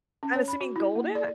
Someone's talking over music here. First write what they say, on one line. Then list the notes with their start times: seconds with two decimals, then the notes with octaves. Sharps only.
I'm assuming Golden?
0.23 C#4
0.36 C#5
0.48 B5
0.61 F#4
0.76 E4
0.96 A#3
1.15 D5